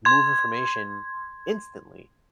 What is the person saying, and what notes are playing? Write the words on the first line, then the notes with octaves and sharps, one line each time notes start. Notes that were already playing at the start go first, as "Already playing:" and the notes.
move information instantly,
C6 G#6